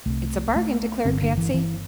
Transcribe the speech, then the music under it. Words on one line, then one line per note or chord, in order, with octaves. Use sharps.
"It's a bargain," declared Patsy.
C2 C3 A3
A3
G1 G2 D3 C4
D3
E3
E3